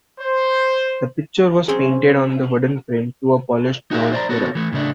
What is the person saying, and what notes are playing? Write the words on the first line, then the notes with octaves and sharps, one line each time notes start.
The picture was painted on the wooden frame to a polished bronze mirror.
C5
F#3 C4 C#4 G#4
D#4 F#4 G#4 A#4 E5
C5 D5 A#5
B3 F#4 A4 C#5
E3 A3
A2 C#3 A3 D4